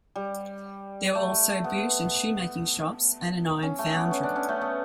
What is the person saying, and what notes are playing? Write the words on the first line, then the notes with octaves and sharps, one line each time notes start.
There were also boot and shoemaking shops and an iron foundry.
G3
A3
B3
C#4
A3
B3
C#4
D4
C#4
A3
B3